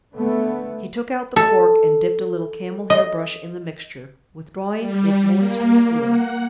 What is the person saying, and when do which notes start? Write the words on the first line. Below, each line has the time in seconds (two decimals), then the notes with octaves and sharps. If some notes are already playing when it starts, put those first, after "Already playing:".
He took out the cork and dipped a little camel-hair brush in the mixture, withdrawing it moist with fluid.
0.14 D3 A3 B3
1.36 A4
2.90 D#5
4.78 G3
5.38 A#3
6.08 F#5